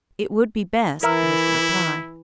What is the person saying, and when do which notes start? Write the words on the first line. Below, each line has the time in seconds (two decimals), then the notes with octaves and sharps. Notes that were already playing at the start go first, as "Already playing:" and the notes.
"It would be best," was the reply.
1.03 E3 E4 A#4 E5